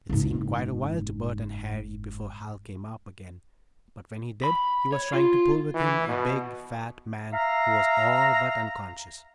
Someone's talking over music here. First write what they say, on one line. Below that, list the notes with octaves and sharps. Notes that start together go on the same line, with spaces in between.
It seemed quite a while to Bert and Harry before Hal came up again, but when he did he was trying to pull with him a big, fat man, who was all but unconscious.
F#1 G#2
B5
C#5
F4
E3
B2
E5 F5 A#5